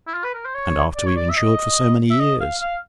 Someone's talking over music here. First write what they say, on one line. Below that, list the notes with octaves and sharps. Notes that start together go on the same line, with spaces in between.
And after we've insured for so many years!
E4
F4
B4
A#4
C5
C#5
D5
C#5
D5
E5
D#5
E5
D#5
F5
F5